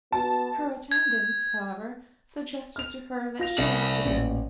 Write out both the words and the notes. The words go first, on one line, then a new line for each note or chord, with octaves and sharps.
Her attendants, however, suggested to her that she ought to go.
B3 F#4 A5
G#6
F6 F7
F4 A#6 F7
C2 D5 E5
A1 A#2